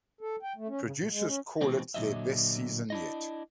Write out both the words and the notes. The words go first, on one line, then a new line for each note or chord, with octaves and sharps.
Producers called it their best season yet.
A4
G5
A3
C#4
C#3
A#2
G#3
C#4
B2 E3 G#3 C4
A#2 D3 F#3 D#5 E5
D4 E4 D#5